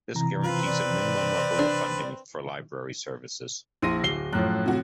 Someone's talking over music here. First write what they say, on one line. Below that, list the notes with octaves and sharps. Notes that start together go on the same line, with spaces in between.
This guarantees a minimum level of funding for Library services.
C3 E3 A#5
C4 F4 B4
D5
D4
A#1 E4 C6 A#6 D#7
D1 C7 G7
F#2 A2 F3 F#6
C3 F#4